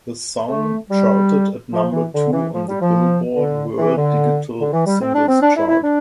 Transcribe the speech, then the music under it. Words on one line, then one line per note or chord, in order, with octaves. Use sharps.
The song charted at number two on the "Billboard" World Digital Singles chart.
A3
G3
F3
E3
D3
E3
F3
G3
F3
D3
E3
D3
D3
E3
G3
C4
D4
C4
D4
E4
E4
D4